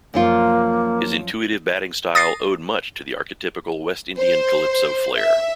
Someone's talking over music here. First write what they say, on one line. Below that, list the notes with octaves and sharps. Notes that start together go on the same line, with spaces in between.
His intuitive batting style owed much to the archetypical West Indian calypso flair.
F#2 F3 A#3 F4
D#6 A6 A#6 C7
C5
E5